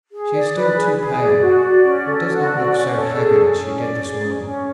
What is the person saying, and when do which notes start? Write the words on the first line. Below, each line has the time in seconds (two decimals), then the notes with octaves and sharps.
She is still too pale, but does not look so haggard as she did this morning.
0.12 G#4
0.33 D5
0.55 B4
0.77 G#4
0.98 G#4
1.20 D5
1.41 F#4
1.63 D5
1.84 C#4
2.06 A4
2.27 F#4
2.49 D5
2.71 C#4
2.92 A4
3.14 G#4
3.36 C#4
3.57 C#4
3.79 D5
4.00 G#4
4.22 C#4
4.43 C#4